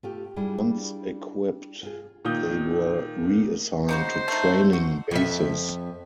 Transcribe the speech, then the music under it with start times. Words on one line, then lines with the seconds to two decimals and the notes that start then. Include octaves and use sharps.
Once equipped, they were reassigned to training bases.
0.03 A3 F4 G4
0.36 G3 D4 E4 F4 G#4
1.83 F4 G#4
2.25 A#2 D#3 D#6 G6
3.89 C#3 D#4 F#4 C5
4.28 A3 D#4
4.73 F#4
5.11 F2 E5